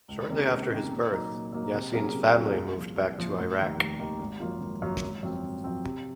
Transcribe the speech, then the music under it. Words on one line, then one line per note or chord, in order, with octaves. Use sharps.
Shortly after his birth, Yasin's family moved back to Iraq.
C#2
C3 D#3 A#3 C#4
C#2
C3 D#3 A#3 C#4
A#2
F#3 A#3 D#4
A#2
F#3 A#3 D#4
C3
F#3 A#3 C#4 G#4
C3
F#3 A#3 C#4 G#4
C2
A#2 F3
C2
A#2 F3
F1
D#2 D#3 A#3
F1
D#2 D#3 A#3
G#1
F#2 F3 A#3 F4
G#1
F#2 F3 A#3 F4
G#1
F#2 F3 C4
G#1
F#2 F3 C4
C3